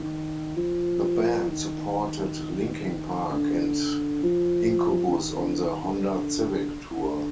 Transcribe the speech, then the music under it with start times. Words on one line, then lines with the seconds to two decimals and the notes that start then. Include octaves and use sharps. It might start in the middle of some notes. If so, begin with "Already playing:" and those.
The band supported Linkin Park and Incubus on the Honda Civic Tour.
Already playing: D#3
0.56 F3
1.48 D#3
3.31 D3
4.23 F3
5.05 D3
5.15 D#3
5.37 D3
5.60 D#3
5.84 D3
6.05 D3
6.97 D3